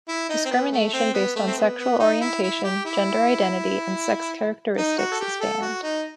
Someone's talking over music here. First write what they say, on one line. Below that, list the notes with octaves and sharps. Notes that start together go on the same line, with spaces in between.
Discrimination based on sexual orientation, gender identity and sex characteristics is banned.
E4
D#4
C4
B3
A3
C4
B3
A3
C4
B3
B3
D#4
E4
E4
G4
E4
D#4
F#4
A4
G4
A4
F#4
D#4